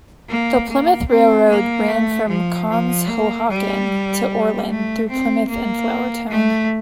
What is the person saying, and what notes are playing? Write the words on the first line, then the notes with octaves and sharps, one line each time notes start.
The Plymouth Railroad ran from Conshohocken to Oreland through Plymouth and Flourtown.
A#3
A#3
C4
A#3
A3
F3
F3
A#3
G3
A3
C4
A#3
A3